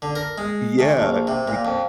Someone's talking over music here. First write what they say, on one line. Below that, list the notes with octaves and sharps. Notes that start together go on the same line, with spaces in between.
yeah, you
D3
A#4
G#3
D2
A#1
C3
A#2
F2